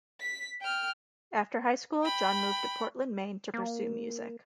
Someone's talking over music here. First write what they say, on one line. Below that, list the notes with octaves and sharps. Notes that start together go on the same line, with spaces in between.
After high school, John moved to Portland, Maine, to pursue music.
B6
G5 F6
G5 B5
A#3